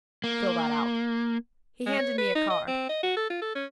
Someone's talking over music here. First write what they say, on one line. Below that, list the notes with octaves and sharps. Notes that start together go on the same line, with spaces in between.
"Fill that out." He handed me a card.
A#3
G#3
C#5
B4
D#4
D#5
C4
D#5
F#4
A4
F4
A4
C#4